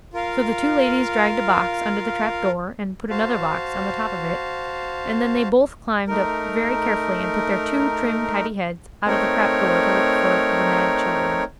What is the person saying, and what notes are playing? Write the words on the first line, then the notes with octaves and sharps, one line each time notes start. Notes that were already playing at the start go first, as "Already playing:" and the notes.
So the two ladies dragged a box under the trap-door and put another box on the top of it, and then they both climbed up very carefully and put their two trim, tidy heads out of the trap-door to look for the 'mad children'.
F4 A#4 F5
F#4 C5 F5 A5
A3 D#4 A#4
A3 C4 D#4 A#4 C#5